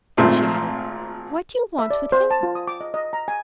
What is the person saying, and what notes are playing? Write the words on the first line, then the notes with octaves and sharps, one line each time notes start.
Then she added: "What do you want with him?"
G#1 A#2 A3 C4
E5
D5
C5
A5
F4
D#6
D6
D#5
D#5
A#5
G#5